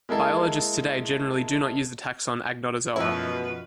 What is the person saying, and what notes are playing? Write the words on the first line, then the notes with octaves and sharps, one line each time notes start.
Biologists today generally do not use the taxon Agnotozoa.
G#3 A#3 E4 A4
F#2 B2 F3 A3 E4 B4